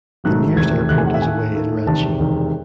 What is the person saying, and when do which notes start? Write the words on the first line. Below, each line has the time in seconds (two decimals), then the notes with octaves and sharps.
The nearest airport is away in Ranchi.
0.24 G#1 G#2 D#3 F#3 A3 F#6
0.57 E2 C3 D#3 A3 G#6
0.89 E2 C3 D#3 A3 F#6
0.98 G#5
1.06 F#5
1.14 E5
1.22 D#2 D#3 A3 G#5
1.54 D#2 D#3 A3
1.86 E1 E2 C3 D#3 A5
2.19 E1 E2 C3 D#3